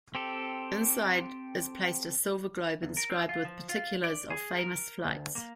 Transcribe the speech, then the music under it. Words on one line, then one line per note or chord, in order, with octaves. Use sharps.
Inside is placed a silver globe inscribed with particulars of famous flights.
C4 G4 A4
E2
A#4
C4
F4
F3
F4
D5
G#4
A#4
D2
A#3